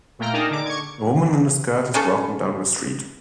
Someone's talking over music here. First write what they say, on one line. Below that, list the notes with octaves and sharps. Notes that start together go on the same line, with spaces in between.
A woman in a skirt is walking down the street.
A#2 A3 A#3 G5 A#5 F6
D4 D#4 G#4 A#4 D5 A5
D3 D6
C#6 G#6
C#3 C#4 G#4 A4